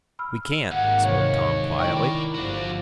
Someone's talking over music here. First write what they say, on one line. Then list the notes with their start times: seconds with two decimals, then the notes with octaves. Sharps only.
"We can't," spoke Tom, quietly.
0.19 B5 E6 F6
0.72 G#1 D#2 A#3 F#5
1.04 C3 E3 C#5
1.79 D#3 E4 A#4 D5 G5 C#6
2.34 G1 F3 D4 F#4